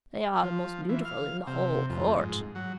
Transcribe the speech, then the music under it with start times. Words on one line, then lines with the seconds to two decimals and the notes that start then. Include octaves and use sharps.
They are the most beautiful in the whole court.
0.43 F3
0.89 E3
1.05 F5
1.47 C3
1.90 F2
2.18 G#2
2.55 F#3